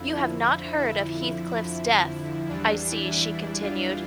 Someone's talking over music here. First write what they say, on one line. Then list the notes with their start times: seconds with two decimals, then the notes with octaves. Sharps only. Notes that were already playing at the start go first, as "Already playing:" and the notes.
'You have not heard of Heathcliff’s death, I see,’ she continued.
Already playing: F2 D3 F3 E4
0.79 E4
2.49 E2 E3 G3 D4
2.91 E4
3.32 E4
3.61 F4